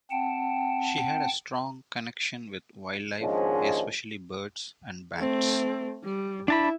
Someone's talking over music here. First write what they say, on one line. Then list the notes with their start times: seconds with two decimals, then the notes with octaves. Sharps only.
She had a strong connection with wildlife, especially birds and bats.
0.11 C4 F#5 G5 A5
3.21 D#2 G#2 F3 G#3 C#4 D4
5.17 A3 C4
6.04 G3
6.48 D4 E4 E5 A5 B5